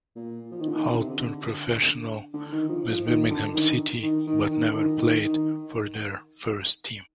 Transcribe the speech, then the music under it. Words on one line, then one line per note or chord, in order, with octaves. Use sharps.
Hall turned professional with Birmingham City, but never played for their first team.
A#2
F3
D#3
D3
D#3
D3
C3
D3
D3
D#3
F3
F3
D#3
D3
D#3
D#3
D#3
D#3
D3
D#3
D#3
D#3